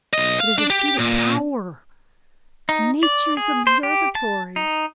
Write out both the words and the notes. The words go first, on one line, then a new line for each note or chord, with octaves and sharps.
It is a seat of power--Nature's observatory.
B1 D#5
F5
D4
G4
A#2
D#4
D5
G#4
C5
G4
A5
D#4